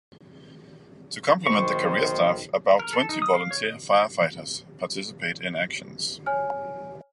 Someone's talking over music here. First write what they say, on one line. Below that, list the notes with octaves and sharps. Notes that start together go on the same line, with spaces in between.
To complement the career staff, about twenty volunteer firefighters participate in actions.
B1 D#3 C5 C#6
A#4
A4
D#4
D#6
F5
C#5
D#5
C#5 G#5 F6